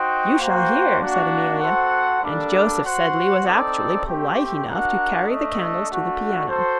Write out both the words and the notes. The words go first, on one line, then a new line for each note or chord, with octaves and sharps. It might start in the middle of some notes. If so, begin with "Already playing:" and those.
"You shall hear," said Amelia; and Joseph Sedley was actually polite enough to carry the candles to the piano.
Already playing: D#4 F#4 C5 G5
A#3 F#4 C5 G5
A#3 D4 F#4
C4 F#4 A4 C5 F#5
G3 A#3 D4 A4
F#4 C5 F#5
C4 D#4 A4 D5
A3 C4 G4
D4 F#4 A#4 F#5
A3 D4 A4 D#5
A3 D4 F#4
F#4 A4 C5